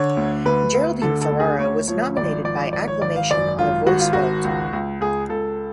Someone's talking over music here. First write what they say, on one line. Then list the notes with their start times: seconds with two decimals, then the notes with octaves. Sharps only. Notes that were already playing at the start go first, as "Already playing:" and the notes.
Geraldine Ferraro was nominated by acclamation on a voice vote.
Already playing: D3 C#5
0.17 D2
0.45 D2 B4
0.74 D2
1.02 D3 A4
1.22 A4
1.30 D2
1.40 G#4
1.59 D2 C#5
1.88 F3 C#5
2.17 G#1 D5
2.44 F3 D5
2.73 G#1 D5
2.88 C#5
3.02 G#1 D5
3.16 F5
3.30 F#2 D5
3.58 G#1 F4
3.86 G#1 F#4
4.00 F4
4.13 G#1 F#4
4.45 C#2
4.73 C#2
5.00 C#2 G#4
5.29 C#2 A4